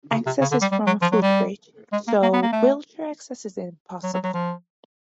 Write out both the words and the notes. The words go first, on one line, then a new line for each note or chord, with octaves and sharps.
Access is from a footbridge, so wheelchair access is impossible.
C#3
C3
C#3
D3
G3
G3
F#3
F3
F#3
G3
G#3
A#3
A#3
B3
A#3
A3
F#3
F#3
F#3
F3